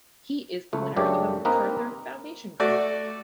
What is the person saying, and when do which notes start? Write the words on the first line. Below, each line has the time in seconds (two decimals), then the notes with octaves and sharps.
He is the winner of a MacArthur Foundation grant.
0.73 C#2 A3
0.96 F#2 C#3 A3 D4 G4
1.45 A#3 C4 D#4 A#4 B4
2.60 A3 F#4 D5